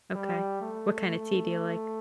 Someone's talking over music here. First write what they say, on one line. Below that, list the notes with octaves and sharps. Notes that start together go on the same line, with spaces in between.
Okay. What kinda tea do you like?
G3
A3
A3